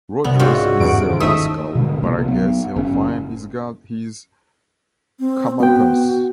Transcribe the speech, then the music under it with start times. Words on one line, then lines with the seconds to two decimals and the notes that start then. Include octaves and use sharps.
Rogers is a rascal, but I guess he'll find he's got his comeuppance.
0.24 C2 B3
0.39 G#2 C4 C#4 F4 F#4 D#5 E5
0.80 E2 G2 D7
1.08 D#3 F3 E4
1.20 G1 A3 D#4 E5 D#6
1.75 B2 D3 G#3
2.01 C2 B2 A#3
2.28 F#3 B3
2.76 F#1 C#4
5.19 C4
5.60 B3 F#4 G5